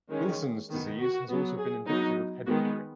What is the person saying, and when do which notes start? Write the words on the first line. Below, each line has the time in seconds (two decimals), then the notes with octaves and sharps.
Wilson's disease has also been indicative of head injury.
0.09 D#3 G#3 C#4
0.69 D#3 B3
0.98 F#4
1.28 F#3 B3
1.58 G#4
1.87 F#3 B3 D#4
2.47 D#3 G#3 B3 F#4